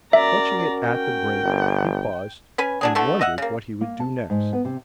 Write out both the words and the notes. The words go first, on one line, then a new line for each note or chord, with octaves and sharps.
Clutching it at the brink, he paused, and wondered what he would do next.
C#4 F#4 A#4 D5 E5 A#5
G5
G1
C#4 B4 G#5
F#3 D4 G#4
D3 A3 B3 E4
D#5 E5 F#5
C#3 A#3
A#3
A5
G#2
B3
C3